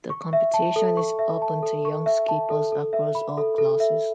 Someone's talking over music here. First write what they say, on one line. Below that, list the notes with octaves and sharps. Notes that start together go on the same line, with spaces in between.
The competition is open to young skippers across all classes.
C#6
E5
A5
A4
C#6
E5
A5
A4
C#6
E5
A5
A4
A4
E5
B5
A4
A4
E5